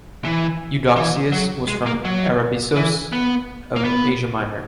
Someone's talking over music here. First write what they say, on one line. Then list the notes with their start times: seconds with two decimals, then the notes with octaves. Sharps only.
Eudoxius was from Arabissos of Asia Minor.
0.25 E3
0.96 E3
1.32 F#3
1.68 G#3
1.86 A#3
2.05 F#3
2.76 E3
3.13 B3
3.76 A#3
3.84 B3